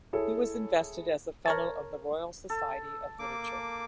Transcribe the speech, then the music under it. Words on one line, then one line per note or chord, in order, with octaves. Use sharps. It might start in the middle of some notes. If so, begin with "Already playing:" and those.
He was invested as a Fellow of the Royal Society of Literature.
E4 G#4 A4 C#5
A#4 C#5 A5
A4
A#3 D6